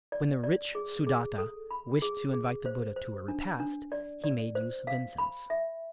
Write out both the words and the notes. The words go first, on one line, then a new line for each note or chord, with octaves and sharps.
When the rich Sudatta wished to invite the Buddha to a repast, he made use of incense.
D5
D5
G#4
G#4
A4
B5
G#4
G#4
C5
C5
D4
D4
D5
D5
C5
F5
B5
E5